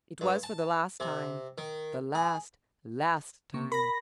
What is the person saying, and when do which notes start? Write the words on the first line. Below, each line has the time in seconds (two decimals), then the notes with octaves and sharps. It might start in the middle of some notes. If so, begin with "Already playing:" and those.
It was for the last time--the last, last time.
0.21 G2
0.43 A5
1.00 C3
1.58 D#3
2.15 G#4
3.54 C#3 A#3 C#6
3.72 A#4 B5 A#6